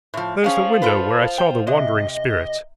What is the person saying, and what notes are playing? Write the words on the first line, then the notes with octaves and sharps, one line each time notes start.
There's the window where I saw the wandering Spirits!
A2 F3
C#4 G#4 C5 F5
F4 A4 B4
G5
C3 D#5